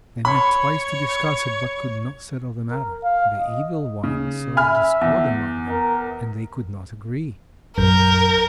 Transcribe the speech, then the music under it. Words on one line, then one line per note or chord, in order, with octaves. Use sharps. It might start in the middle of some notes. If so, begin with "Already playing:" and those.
They met twice to discuss it, but could not settle the matter; the Evil One sowed discord among them, and they could not agree.
C#5 B5
A#4
F5
D#5
C#3
E5 G#5 B5 F6
E2
A#4
A#1 F#2 A#4 G6